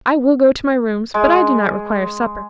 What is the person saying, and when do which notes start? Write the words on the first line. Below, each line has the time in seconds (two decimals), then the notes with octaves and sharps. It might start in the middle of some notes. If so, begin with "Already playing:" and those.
I will go to my rooms, but I do not require supper.
1.14 G#3